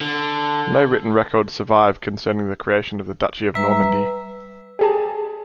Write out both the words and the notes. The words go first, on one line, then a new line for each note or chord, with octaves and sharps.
No written records survive concerning the creation of the Duchy of Normandy.
D3
G3 B4 E5 A#5
G4 G#4 A5